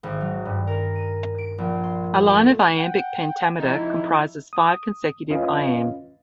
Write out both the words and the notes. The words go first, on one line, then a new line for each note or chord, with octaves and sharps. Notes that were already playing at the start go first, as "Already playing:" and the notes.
A line of iambic pentameter comprises five consecutive iambs.
G#1
F#3
G2
A#4
D#7
D7
A#1
C6
E6
A3
F#5 G5
F2 D#4 E4
D#6
F2 C#4 F4 B4 D#5 F5